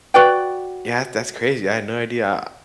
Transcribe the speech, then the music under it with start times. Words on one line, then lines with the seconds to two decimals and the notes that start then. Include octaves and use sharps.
yeah, th that's crazy, I had no idea
0.14 F#4 B4 D5 G5